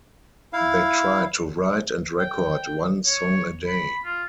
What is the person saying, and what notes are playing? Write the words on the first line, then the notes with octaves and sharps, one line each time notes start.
They tried to write and record one song a day.
E4 F5
G5
C#5
B5
F4